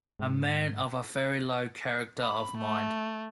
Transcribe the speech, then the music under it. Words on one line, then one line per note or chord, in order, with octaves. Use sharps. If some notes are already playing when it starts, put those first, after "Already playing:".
A man of a very low character of mind.
G#2
B5
A3